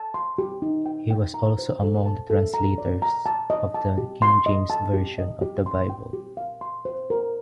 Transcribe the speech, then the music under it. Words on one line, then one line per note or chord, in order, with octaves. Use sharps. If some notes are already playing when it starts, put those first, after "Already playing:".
He was also among the translators of the King James Version of the Bible.
Already playing: A5
C6
G4
D#4
G5
G5
A#5
C5
A4
A5
A4
A#5
D5
A#5
A5
D#5
A5
G4
C6
D#5
A5
G4
D#5
G4
C6
G5
G4
F5
C6
C5
A#4